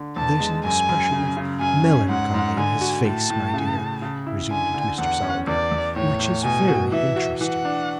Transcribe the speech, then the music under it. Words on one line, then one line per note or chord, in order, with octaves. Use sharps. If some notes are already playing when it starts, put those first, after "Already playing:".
'There's an expression of melancholy in his face, my dear,' resumed Mr. Sowerberry, 'which is very interesting.
Already playing: D3
E2 A5
G#3
F#2 G#5
F#2
C#3
C#3
F#2 G#5
C#4
G#2 F#5
G#2
D3 G#5
F#4
A2 A5
A2
C#3
C#3
C#3
E4
D3 G#5
D3
E2 F#5
C#4
E2 D5
E2
A2 C#5
A2
B2 G#5
F#4
E3 E5
F#4
E3 F#5
D4